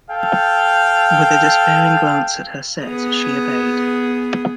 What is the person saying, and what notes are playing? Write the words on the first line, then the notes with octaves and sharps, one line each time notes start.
With a despairing glance at her set, she obeyed.
A4 F5 G5
B3 G#4